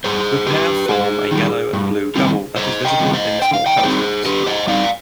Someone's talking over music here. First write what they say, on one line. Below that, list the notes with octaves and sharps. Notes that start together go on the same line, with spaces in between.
The pair form a yellow and blue double that is visible in small telescopes.
G2 G#4 C5
D#3 G3 G4 B4
G2 G#4 C5
D#3 G3
G2
D#3 G3 C4 F4
G2 C5 D#5
D#5 G5
D#3 G3 C4 F4
C5 D#5
D3 G5
F5
D#5 G5
D5
G3 C4 D#4 G#4 C5
D3 G4 B4
C5 D#5
G3 C4 D#4 D5 F5